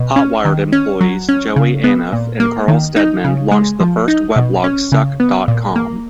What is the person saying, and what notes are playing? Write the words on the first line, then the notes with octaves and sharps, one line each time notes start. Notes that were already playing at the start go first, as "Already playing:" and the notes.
Hotwired employees Joey Anuff and Carl Steadman launched the first weblog Suck dot com.
Already playing: B2
C#4
D#3
C#4
F#3
C#4
C#3
B3
A#2
A#3
D#3
D#4
C#3
G#3
F3
D#4
B2
C#4
C#3
B3
A#2
A#3